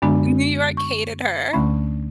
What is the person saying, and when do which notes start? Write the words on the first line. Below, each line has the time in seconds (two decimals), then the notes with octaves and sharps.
New York hated her.
0.02 F#2 D3 G#3 B3 D4 B5
0.77 C#6
1.53 D2 D3 A3 C#4 B5